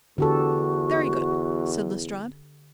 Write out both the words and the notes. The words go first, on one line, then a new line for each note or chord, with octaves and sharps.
"Very good," said Lestrade.
E2 D3 F#4 G4 A4